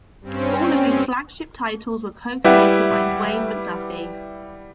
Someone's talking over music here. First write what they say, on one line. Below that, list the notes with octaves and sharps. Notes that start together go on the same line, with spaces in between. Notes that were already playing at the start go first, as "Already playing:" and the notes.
All of these flagship titles were co-created by Dwayne McDuffie.
G2 C4 C#4
G3 E4 G4 B4 E5 F#5